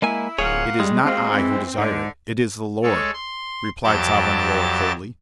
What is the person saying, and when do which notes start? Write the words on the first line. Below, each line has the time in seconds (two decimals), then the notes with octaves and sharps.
"It is not I who desire it; it is the Lord," replied Savonarola coldly.
0.02 G#3 A#3 E4 G#5
0.38 D1 A#3 F4 G#4 C#5 F#5
0.80 G3 G#3
1.05 D#2 C4 F4 F#4
1.34 E3
1.78 G#2 D3
2.83 G#3 A4 C#5
3.14 C6
3.84 F2 F#3 G4 A5 D6 A6